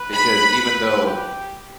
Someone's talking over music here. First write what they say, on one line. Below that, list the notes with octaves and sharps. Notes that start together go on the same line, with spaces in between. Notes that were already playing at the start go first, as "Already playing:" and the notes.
because even though
Already playing: B4
B5
G4